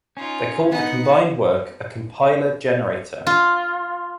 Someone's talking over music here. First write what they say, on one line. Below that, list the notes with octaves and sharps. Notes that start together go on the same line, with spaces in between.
They called the combined work a 'compiler generator'.
C#4 D#4 F4
B3 D#4 F#5
F4